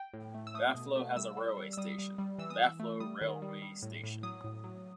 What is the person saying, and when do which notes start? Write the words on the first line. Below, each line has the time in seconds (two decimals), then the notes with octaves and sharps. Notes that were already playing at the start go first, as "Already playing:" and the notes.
Baflo has a railway station - Baflo railway station.
Already playing: G5
0.13 A2
0.34 A3
0.47 E6
0.54 A3 D#6
0.75 B2
0.96 A3
1.16 G3 E6
1.37 G3
1.57 G3
1.73 E6
1.77 G3 D#6
1.98 G3
2.18 G3
2.38 E3 E6
2.50 D#6
2.60 E3 E6
2.80 A3
3.00 G3 D#6
3.21 D#3
3.42 G3
3.62 G3
3.83 A2
4.03 A2
4.23 F#3 D#6
4.44 A2
4.64 F#3